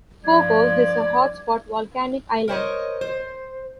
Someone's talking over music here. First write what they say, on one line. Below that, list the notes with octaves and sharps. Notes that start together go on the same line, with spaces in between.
Fogo is a hotspot volcanic island.
G2 F3 D5 G#6
A#4 C5 C#5 D#5
C5